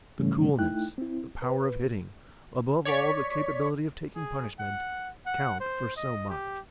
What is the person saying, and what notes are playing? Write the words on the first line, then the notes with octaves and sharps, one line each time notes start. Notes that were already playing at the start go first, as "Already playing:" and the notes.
The coolness, the power of hitting, above all the capability of taking punishment, count for so much.
G#2 C#3 E3 G3 A3 C#4
A3 D#4 E4 G5 F#6
C4 E4
B4
C#5 D5 C#6 B6
G#4
F#5
F#5
C5
D#5
G4